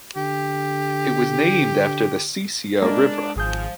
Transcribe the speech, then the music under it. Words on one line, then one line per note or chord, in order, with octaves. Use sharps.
It was named after the Sesia river.
D3 G4
G#3 A#3 D4
G#1 F3 G#4 G6